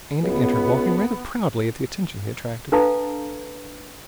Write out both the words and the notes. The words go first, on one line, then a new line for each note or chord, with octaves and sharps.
Andy entered, walking rather proudly at the attention he attracted.
C#2 B3
D4 A4 B4 F5 A5 A#5